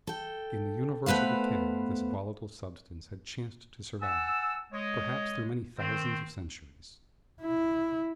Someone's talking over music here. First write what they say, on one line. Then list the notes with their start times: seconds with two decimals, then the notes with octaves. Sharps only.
In the universal decay this volatile substance had chanced to survive, perhaps through many thousands of centuries.
0.07 A4 G5
1.06 A3 B3 B4 C5 F5
4.01 F#5 G#5 A5 E6
4.73 G#3 C#5 D#5
5.78 D#3 C4
7.41 E4